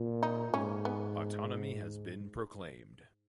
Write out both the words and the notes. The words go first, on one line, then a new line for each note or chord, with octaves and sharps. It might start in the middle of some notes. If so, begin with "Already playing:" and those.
Autonomy has been proclaimed.
Already playing: A#2
D#4
G#2 C#4
B3